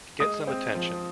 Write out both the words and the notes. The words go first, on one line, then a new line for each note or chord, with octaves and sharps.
Get some attention.
G#3 D#6
C4
F3